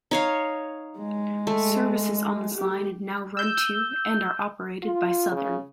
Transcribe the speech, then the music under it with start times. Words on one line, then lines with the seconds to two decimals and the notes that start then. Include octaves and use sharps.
Services on this line now run to and are operated by Southern.
0.11 D#4 C#5 F5
0.98 G#3
1.47 A3
2.55 G4
3.37 E6 G6
4.83 F4
5.32 C#3